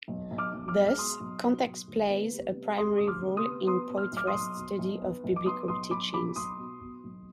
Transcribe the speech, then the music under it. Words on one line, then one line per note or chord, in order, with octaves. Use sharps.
Thus, context plays a primary role in Poythress's study of Biblical teachings.
B1
B1
D6 F6
B1
D6 F6
G#3
F6
B2 C6 D#6
B1
B2
B1
D2
B3
G3
C3
G3 C6 D#6
D2 D#6
D6 F6
C3
C6 D#6
B3
B3 C6 D#6
B2
F6
B1 D6 F6
C6 D#6
B1
B2
B1
B3
B1
D6
B3 C6 D#6
B1 C6 D#6
B1 B5 D6
B2 B5 D6
B1 C6 D#6
B2
B2
B1